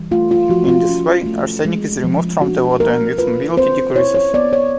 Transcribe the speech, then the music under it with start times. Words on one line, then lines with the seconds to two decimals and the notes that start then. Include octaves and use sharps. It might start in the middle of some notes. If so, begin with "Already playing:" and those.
In this way, arsenic is removed from the water and its mobility decreases.
Already playing: E3 G3
0.11 A3 F4
0.31 F4
0.49 F3 F#4
0.68 F4
0.89 C#4
1.26 A3
1.65 G#3
2.04 F3
2.41 D4 F#4
2.80 A#3 A#4
3.18 F4 B4
3.57 C4 C5
3.95 E4 C#5
4.15 C#5
4.34 B3 D5
4.53 C#5